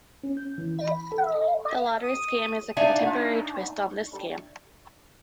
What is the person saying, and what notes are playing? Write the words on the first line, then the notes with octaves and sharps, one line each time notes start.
The lottery scam is a contemporary twist on this scam.
C#4
G6
E3
B5
A4
D#6
D4 D#4 D5 E5 F5 G#5